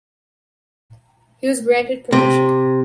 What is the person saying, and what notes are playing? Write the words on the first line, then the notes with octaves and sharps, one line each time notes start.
He was granted permission.
C3